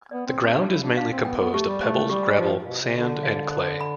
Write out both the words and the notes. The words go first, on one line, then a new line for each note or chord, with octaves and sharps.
The ground is mainly composed of pebbles, gravel, sand and clay.
B3 D5
C4
C4 G4
D4
E4 F5
D4
D4 F5
C4
B3 G5
B3
A3 G4
G3
A3 C5
G3 G4
F3 F4
B2 F5
C3
D3 F4
F5
C5
B5